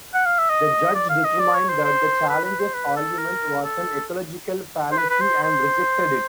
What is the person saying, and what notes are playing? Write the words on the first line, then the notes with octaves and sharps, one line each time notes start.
The judge determined that the challengers' argument was an ecological fallacy and rejected it.
F#5
F5
E5
D#5
D5
F5
D#5
D5
C#5
C5
C5
B4
B4
C5
B4
A4
A#4
A4
C5
B4
B4
C5
C5